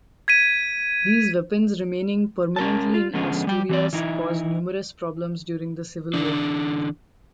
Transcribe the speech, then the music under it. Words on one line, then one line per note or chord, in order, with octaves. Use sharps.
These weapons remaining permanently in Asturias caused numerous problems during the Civil War.
G#6 B6 D#7
C#4 A#4 A5
F4
D3 F3 G#3 B3 C#4
G3 G5
E3 C4 D5
E3 D#4 E4
D3 E3 D4